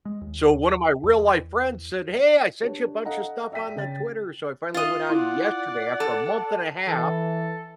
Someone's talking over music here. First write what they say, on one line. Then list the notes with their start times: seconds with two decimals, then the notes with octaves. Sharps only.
so, one of my real-life friends said, "Hey, I sent you a bunch of stuff on the Twitter," so, I finally went on yesterday after a month and a half
0.05 G#3
0.21 D#2
1.04 E2
2.61 D4 G4 C#5
3.05 A4 D#5 F5 F#5 A#5
3.52 D5 E5 G5 B6 D#7
3.76 C#3 G5 A6
4.74 F4 D#5
5.10 E4 D5 F#5
6.00 A4
6.87 E3 A4